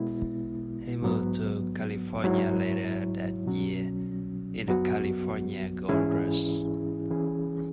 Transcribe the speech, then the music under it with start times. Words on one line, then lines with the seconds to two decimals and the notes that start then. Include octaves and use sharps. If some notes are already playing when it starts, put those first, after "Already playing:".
He moved to California later that year in the California Gold Rush.
Already playing: B2 G#3 B3 E4
1.02 G#2 F#3 B3
2.24 G#2 F#3 E4 C#5
3.46 B2 F#3 C#4
4.67 F#2 F#3 B3 F#4
5.89 G#2 E3 C#4 E4 G#4
7.10 E3 C#4 G#4